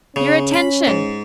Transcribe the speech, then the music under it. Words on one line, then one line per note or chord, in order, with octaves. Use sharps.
Your attention!
C#3 C#4
B5
G#2